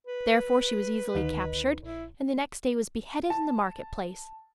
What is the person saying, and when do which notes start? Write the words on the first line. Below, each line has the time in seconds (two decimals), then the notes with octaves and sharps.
Therefore she was easily captured, and the next day was beheaded in the market-place.
0.07 B4
1.15 D2 D#3 D#4
1.83 A#1 E4
3.30 A5